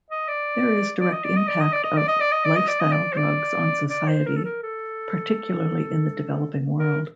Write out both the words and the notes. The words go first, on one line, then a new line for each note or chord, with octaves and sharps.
There is direct impact of lifestyle drugs on society, particularly in the developing world.
D#5
D5
D5
D#5
D5
D#5
D5
D#5
D5
D#5
D5
D#5
D5
D#5
D5
D#5
D5
D#5
D5
C5
D5
D5
C5
A#4
A4
A#4
A4
A#4